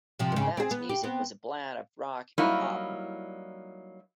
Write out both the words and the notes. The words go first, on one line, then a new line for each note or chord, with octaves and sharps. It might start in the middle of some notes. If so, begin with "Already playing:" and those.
The band's music was a blend of rock and pop.
C3 F3
G#2 C#3
C4 G#4
B3
G4
B3 C4
F#3 G3 A#3 D#4 E4